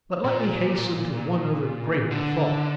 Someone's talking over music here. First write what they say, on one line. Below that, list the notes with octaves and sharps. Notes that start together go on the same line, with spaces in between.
But let me hasten to one other greater thought.
A#2
D3